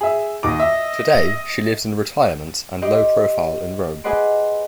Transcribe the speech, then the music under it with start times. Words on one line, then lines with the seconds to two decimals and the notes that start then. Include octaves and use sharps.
Today she lives in retirement and low profile in Rome.
0.01 G#4 E5
0.43 D#2 D#5 D6
0.60 E5
2.82 G4 D#5 C6 D6
4.04 G#4 B4 D#5 F#5 C6 D6